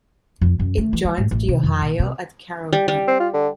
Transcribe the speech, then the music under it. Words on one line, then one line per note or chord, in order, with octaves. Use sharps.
It joins the Ohio at Carrollton.
F2
F#2
A3
E3
G#3
G#2
A1
C3
F2
A#1
C3
G3
G3
C4
F4
D3